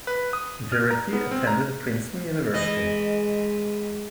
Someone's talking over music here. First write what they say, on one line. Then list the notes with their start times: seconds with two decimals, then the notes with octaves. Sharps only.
Jarecki attended Princeton University.
0.07 B4
0.33 D#6
0.72 F6
0.90 A#5
1.13 B3
1.31 C4
1.47 A#5
2.53 E3 G#3 D#5